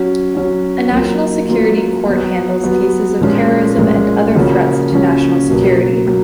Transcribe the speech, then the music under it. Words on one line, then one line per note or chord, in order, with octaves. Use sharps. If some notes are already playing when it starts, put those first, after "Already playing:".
A National Security Court handles cases of terrorism and other threats to national security.
Already playing: F#3 C#4 F#4
F#3 C#4 F#4
F#3 A#3 F4
F#3 A#3 F4
F#3 B3 F#4
F#3 B3 F#4
A#2 F3 G#3 C#4 F4
A#2 F3 G#3 C#4 F4
C#3 F3 A#3 C#4 F#4
C#3 F3 A#3 C#4 F#4
B2 F#3 A#3
F#3 A#3